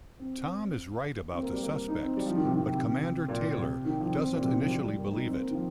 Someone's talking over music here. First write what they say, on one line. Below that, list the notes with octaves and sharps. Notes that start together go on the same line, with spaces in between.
Tom is right about the suspects, but Commander Taylor doesn't initially believe it.
C4
C4
A#3
G3
A#3
D#4
C4
G3
F3
D#3
C3
D#3
C3
C3
A#2
C3
D#3
F3
C4
A#2
C3
D#3
F3
G3
G3
A#3
D#4
C4
A#3
D#3
F3